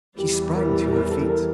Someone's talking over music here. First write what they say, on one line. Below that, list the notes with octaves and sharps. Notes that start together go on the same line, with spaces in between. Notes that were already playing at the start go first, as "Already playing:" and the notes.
She sprang to her feet.
E2 E3 G3 G4
A#4
A#4
A4
A#4